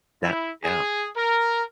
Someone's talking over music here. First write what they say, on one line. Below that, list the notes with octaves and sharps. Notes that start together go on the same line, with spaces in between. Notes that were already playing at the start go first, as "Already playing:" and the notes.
That Yeah.
E4
G#4
A#4